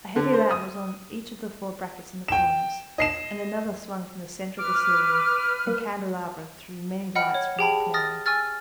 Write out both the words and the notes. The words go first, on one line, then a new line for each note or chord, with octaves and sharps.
A heavy lamp was on each of the four brackets in the corners, and another swung from the centre of the ceiling, and candelabra threw many lights from the piano.
D3
C5
D#6
G5 E7
D#5 C7 E7
B4 D6 F6
A#3
D#5 F#5 G5 B5 F6 C#7
C#5
G4 G#4 G5 A5 B5
D#6 F6 A6 A#6
G#5 C#6 E6 F6 A6